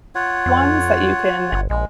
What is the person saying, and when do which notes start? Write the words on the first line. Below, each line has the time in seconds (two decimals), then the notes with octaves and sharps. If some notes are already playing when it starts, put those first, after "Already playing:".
ones that you can
0.15 F4 C#5 F#5
0.46 F2
1.52 G1
1.70 A#1 G#3